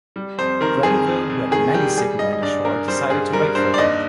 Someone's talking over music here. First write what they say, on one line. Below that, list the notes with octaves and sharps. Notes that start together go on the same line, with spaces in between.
Grenville who had many sick men ashore decided to wait for them.
G3
F2 C5
D#3 A#4
F2 G#4
F2
F2
D#3 G#4
G3 G4
G3 G#4
G3 D#5
D#5
G2 D5
G2 A#4
G3 C5
G2 G#4
G3 A#4
G2 C5
D5
D#2 D#5